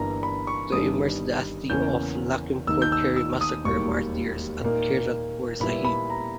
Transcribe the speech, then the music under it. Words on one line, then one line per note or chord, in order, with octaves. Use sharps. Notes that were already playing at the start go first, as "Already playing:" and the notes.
To immerse the asthi of Lakhimpur Kheri massacre martyrs at Kiratpur Sahib.
Already playing: G1 G2 E3 A#3 A#5
B5
C#6
G1 G2 D#3 G3 C#4 D#6
E2 C#3 E3 A#3 C#4 G6
D#2 D#3 A#3 D#4 E6
G6
E6
E6
D#6
E1 D#2 D#3 G3 C#6
A#2 A#3 D#4
A#2 G3 B3 E4 B5
B5
A#5